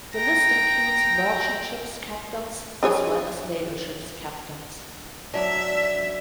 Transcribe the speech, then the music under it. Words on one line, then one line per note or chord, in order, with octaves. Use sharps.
The list includes merchant ship's captains as well as naval ship's captains.
G5 A#5
D4 G#4 C#5
F#3 D4 E5